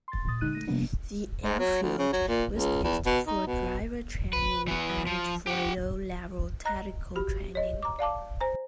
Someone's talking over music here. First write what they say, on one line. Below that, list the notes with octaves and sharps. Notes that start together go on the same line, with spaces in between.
The airfield was used for driver training and for low level tactical training.
C6 A6
A#2 D#6 A6
D3 G#3 D#4 F#6 D#7
A3 A#6 D#7
C3 F3 G3 A#3 B3 D4
G#2
F#3
D2
C#3
F#3
A#2
C#2
E2
B2
D#4
B2
B4
E3 B3
F3
G4 F#5
D#5 A#5 F#6 A#6
F#4 G4 B5
C#5 D#5
A#5 D6
D5 F5 A5 D6
C5 G#5 A#5